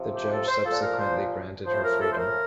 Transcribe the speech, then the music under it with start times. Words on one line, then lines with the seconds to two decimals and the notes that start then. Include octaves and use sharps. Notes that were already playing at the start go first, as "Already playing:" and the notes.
The judge subsequently granted her freedom.
Already playing: C3 F3
0.15 G4
0.31 A4
0.48 C5
0.65 A#2 F3 A4
0.82 A#4
0.99 C5
1.66 A2 F3 C5
1.84 A#4
2.01 A4
2.12 C5
2.18 A#4